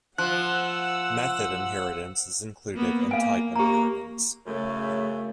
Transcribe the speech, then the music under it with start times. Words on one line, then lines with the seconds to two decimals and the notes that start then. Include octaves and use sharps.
Method inheritance is included in type inheritance.
0.18 F3 F#5 E6 F#6
2.74 A#3 B3
3.11 A#3 F5 G#5
3.56 A#3 G4 A#5
4.47 F#2 C#3 A3